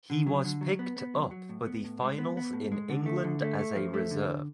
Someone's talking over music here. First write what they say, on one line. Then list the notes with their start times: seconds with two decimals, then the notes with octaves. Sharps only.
He was picked up for the finals in England as a reserve.
0.10 D3
0.27 F#3
0.45 D3
0.61 F#3
0.79 B3
0.97 B3
1.14 F#3
1.31 F#3
1.49 A2
1.67 B3
1.84 A2
2.02 G#3
2.18 B3
2.37 B3
2.53 A2
2.72 G#3
2.89 D3
3.06 A3
3.24 D3
3.42 A3
3.59 A3
3.76 F3
3.94 A3
4.11 D3